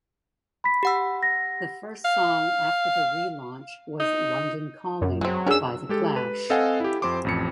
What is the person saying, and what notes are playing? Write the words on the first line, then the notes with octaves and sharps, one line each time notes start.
The first song after the relaunch was "London Calling" by The Clash.
B5 B6
G4 F#5 E6
A#6
F5
D#4
F#2
F#3 G#3 C4
C#4 D4 F#4 G#4 A#4 E6
G#3 G4 A4
B4
C4 A4 D#5 F5 F#5 G#5
E4 G4
F2 C4 C5 C6 D6
A1 F2 C#7